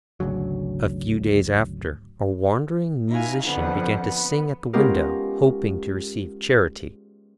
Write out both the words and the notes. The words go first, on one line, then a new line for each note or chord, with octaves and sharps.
A few days after, a wandering Musician began to sing at the window, hoping to receive charity.
G#1 D2 C#3 F#3
D#4 E4 F#4 F5 G#5
F2 D3 F3 B3 F#5
B3
G#3 B3 C#4 F4 G4 A#4